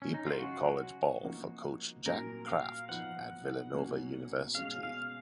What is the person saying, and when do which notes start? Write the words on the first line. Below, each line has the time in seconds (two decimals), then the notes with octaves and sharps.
He played college ball for coach Jack Kraft at Villanova University.
0.02 C#4
0.14 D#4
0.26 F4
0.39 C#3 F#3 C#4 F#4
1.22 F3 A#3 D#4
2.06 A#2 F#3 A#3 A#4
2.47 F5
2.89 F3 B3 D#4 F#5
3.72 B2 F#3 A#3 C#4
4.55 B2 G#3 C#4 F5
4.83 F5